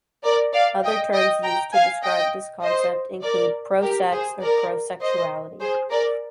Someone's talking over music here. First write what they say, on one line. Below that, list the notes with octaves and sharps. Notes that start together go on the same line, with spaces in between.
Other terms used to describe this concept include "pro-sex", or "pro-sexuality".
A#4 D5
D5 F5
D#5 G5
D#5 G5
G5 A#5
F5 G#5
D#5 G5
C5 D#5
A#4 D5
G4 A#4
G#4 C5
A#4 D5
C5 D#5
G#4 C5
A#4 D5